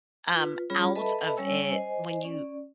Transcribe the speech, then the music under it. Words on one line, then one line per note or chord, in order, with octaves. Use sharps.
um, out of it, when you
F4 B4
G3 C#4 F4 G#4 C#5 B5
A4 B4 D#5 E5 A5 B5
G3 C#4 C#5 G#5 E6
C5 D#5 G#5
C#4 D5